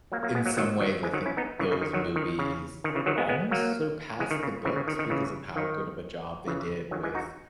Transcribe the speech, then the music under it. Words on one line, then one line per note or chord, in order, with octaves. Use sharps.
in some ways, I think those movies almost surpassed the books because of how good of a job they did with
F#3 A#3
F#3 A#3
G#3 B3
F#3 A#3
D#3 F#3
D#3 F#3
E3 G#3
D#3 F#3
C#4 E4
B3 D#4
C#3 E3
C#3
D#3
D#3 F#3
D#3
C#3
D#3
C#3 E3
D#3 F#3
G#3 B3
G#3 B3
F#3 A#3
E3 G#3
D#3
C#3
C#3 E3
C#3
D#3
D#3
C#3 E3
D#3
C#3 E3
D#3 F#3
E3 G#3
D#4 F#4